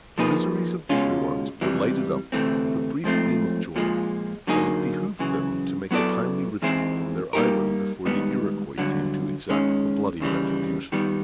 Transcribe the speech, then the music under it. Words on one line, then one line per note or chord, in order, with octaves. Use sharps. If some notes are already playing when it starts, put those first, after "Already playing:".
The miseries of the Hurons were lighted up with a brief gleam of joy; but it behooved them to make a timely retreat from their island before the Iroquois came to exact a bloody retribution.
F3 A#3 D#4 G#4 B4
C#2 B2 G#3 C#4 F4
C#2 C3 E3 G3
D2 C3 E3 A3 C4
G#2 F3 A3 C4
A#2 F3 G#3
D3 F#3 A#3 D#4 G#4
F#2 C#3 E3
F#3 B3 E4 A4 D5
G#2 E3 G#3 C4 E4
G3 A#3 D#4 G4 A#4
G#2 D#3 G3 B3
G2 D3 F#3
G#2 D#3 G#3 C#4
D#2 C#3 E3 G3
D#3 G3 B3